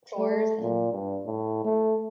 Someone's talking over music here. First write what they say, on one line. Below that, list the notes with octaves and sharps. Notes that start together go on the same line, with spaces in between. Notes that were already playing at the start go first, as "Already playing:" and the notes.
chores and
A3
A#2
G2
A2
A3